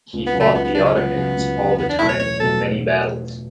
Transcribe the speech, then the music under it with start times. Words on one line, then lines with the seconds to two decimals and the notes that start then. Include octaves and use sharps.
He fought the Ottomans all the time in many battles.
0.13 C#2
0.27 B3
0.33 C#3 F#3
0.40 A3
0.54 C#2 B3
0.64 B3
0.74 C#3 F#3 D4
0.86 C#4
0.95 C#2 B3
1.16 C#3 F#3
1.37 C#2
1.58 C#3 F#3
1.78 E2 B3
1.89 D4
1.99 B2 F#3 A3 E4
2.09 C#5
2.19 E2 C#5
2.40 B2 F#3 A3 A4